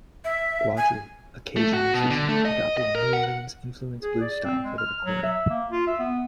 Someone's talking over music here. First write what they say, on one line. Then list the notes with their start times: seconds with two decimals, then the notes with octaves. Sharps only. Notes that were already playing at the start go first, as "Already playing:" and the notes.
Guidry, a Cajun musician, adopted a New Orleans-influenced blues style for the recording.
0.25 E5
0.77 G#5
1.56 A3
1.73 F#4
1.94 B2
2.10 D3
2.28 A3
2.45 D#5
2.77 D#5
2.95 A#4
3.13 F#5
4.03 G#4
4.21 D5
4.45 C4
4.64 G#3
4.78 F6
5.06 F#3
5.23 E5
5.50 A#3
5.71 F4
5.87 E5
5.99 B3